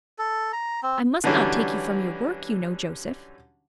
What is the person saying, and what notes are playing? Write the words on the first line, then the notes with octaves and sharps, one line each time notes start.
"I must not take you from your work, you know, Joseph."
A4
A#5
C4
D3 E3 F#3 G3 C#4 D4